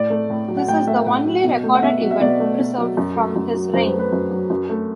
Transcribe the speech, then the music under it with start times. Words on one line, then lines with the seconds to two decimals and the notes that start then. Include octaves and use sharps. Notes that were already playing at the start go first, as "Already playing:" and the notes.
This is the only recorded event preserved from his reign.
Already playing: A2 D5
0.10 A3
0.30 A2
0.48 F#3
0.57 F#5
0.68 A2 G5
0.87 A3 E5
1.06 A2 F#5
1.25 F#3
1.44 B2
1.63 A3
1.75 F#5
1.83 B2 E5
2.02 F#3
2.11 E5
2.20 B2 D5
2.40 A3
2.59 B2
2.78 F#3
2.97 F#2
3.16 A3
3.36 F#2
3.54 F#3
3.74 F#2 C5
3.87 B4
3.93 A3
3.99 B4
4.13 F#2
4.31 F#3
4.50 F#2
4.70 A3